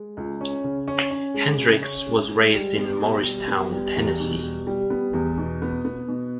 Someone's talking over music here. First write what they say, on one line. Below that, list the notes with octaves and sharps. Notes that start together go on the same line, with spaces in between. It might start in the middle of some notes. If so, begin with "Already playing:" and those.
Hendrix was raised in Morristown, Tennessee.
Already playing: G#3
C#2
C#4
C#3
C#4
C#4
G#3
C#3
C#4
G#3
G#3
G3
B3
B2
G3
B3
G3
E2
B2
G3
G3
B3
E2
B2
B3
B3
B2